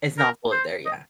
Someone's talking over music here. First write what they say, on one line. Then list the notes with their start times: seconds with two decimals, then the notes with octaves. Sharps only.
It's not fully there yet.
0.18 A#4
0.52 C5
0.86 D#5